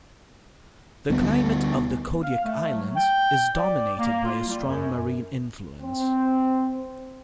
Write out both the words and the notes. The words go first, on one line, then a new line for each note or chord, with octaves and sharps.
The climate of the Kodiak Islands is dominated by a strong marine influence.
D2 G3 B3
F5
A3
F#3
G5
D5
A#3
F4
G3
F#2
C4